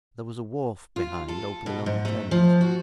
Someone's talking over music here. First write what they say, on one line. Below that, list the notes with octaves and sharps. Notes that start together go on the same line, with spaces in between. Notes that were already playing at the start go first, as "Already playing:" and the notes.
There was a wharf behind, opening on the Thames.
F4
A4
B2
G#2
A3
F3
F#4